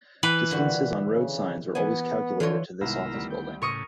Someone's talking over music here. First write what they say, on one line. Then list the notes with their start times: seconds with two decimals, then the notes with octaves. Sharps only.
Distances on road signs are always calculated to this office building.
0.23 E3 B4
0.51 A#2 D3 G3 F#4
1.14 C#3
1.75 E3 B3 G#5
2.40 D3 E3 F4 C#5
2.81 C2 G#2 D#3 B3 E4 F4 E5 A#5
3.14 D2 G3
3.30 G5
3.62 A2 C#3 A#4 C#6 D#6